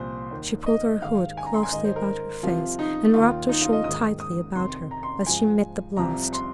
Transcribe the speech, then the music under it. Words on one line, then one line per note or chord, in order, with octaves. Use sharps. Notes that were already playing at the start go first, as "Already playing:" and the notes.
She pulled her hood closely about her face, and wrapped her shawl tightly about her as she met the blast.
Already playing: C2 A#2 F3 C5
D#2 D#3
D#5
G#2 D#3 F5
G#5
A#5
C6
G#5
G#2 D#3 D#5
C5
A#4
C2 C3 F3 F4
D#4
D#2 D#3 F4
D#4
F4
D#5
G#2 D#3 D#6
D#6
F2 C3 D#3 C6
A#5
C6
G#2 F3 G#5
C2 C3 F3 A#5
C6